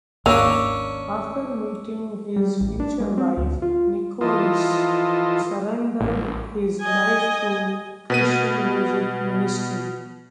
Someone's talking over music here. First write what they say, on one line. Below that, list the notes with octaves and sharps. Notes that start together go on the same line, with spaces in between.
After meeting his future wife, Nichols surrendered his life to Christian music ministry.
G#1 D#2 A#3 C#4 D4 E6
G3
A1
D4
G#3
C4
D2
F4
E3 F3 F4 A4 D#5
A1
D#5 G#5
B2 B4 D#7